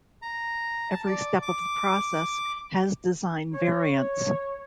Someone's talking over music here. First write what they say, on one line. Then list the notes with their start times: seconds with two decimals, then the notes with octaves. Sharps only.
Every step of the process has design variants.
0.22 A#5
0.90 A5
1.07 D5
1.42 D6
3.54 C#5